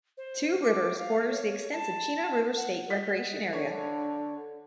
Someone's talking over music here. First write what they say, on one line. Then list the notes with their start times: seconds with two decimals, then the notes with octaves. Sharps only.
Two Rivers borders the extensive Chena River State Recreation Area.
0.17 C5
0.62 D6
0.98 F5
1.30 C#5
1.72 A5
2.57 F#5
2.90 G3 D#5 F#5 B6
3.53 D3 D4 C#5